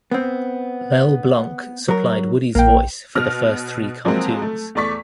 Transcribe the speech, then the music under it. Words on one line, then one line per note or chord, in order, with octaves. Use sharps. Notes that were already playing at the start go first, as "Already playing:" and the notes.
Mel Blanc supplied Woody's voice for the first three cartoons.
B3 C4
F#3 A#4
A#1 A#3 G5
B2 F6 A#6
F3 F#3 G#3 A#3 C4
A3
E2 A3 D5 C#6 B6